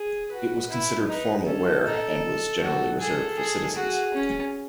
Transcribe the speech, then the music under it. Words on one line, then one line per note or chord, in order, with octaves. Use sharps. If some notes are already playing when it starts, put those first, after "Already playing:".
It was considered formal wear, and was generally reserved for citizens.
Already playing: G#4
F#4 B4
E4
D#4 B4
C#4 A4
D#4 A4
F#4
G#4 A4
G#4
F#4 G#4
C#4